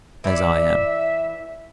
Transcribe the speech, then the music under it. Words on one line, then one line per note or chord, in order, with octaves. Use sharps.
"As I am."
E3 D5 E5